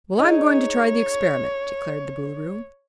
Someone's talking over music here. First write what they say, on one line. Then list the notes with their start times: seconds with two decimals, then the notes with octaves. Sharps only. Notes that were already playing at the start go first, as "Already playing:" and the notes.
"Well, I'm going to try the experiment," declared the Boolooroo.
0.19 D#4 G#4 C#5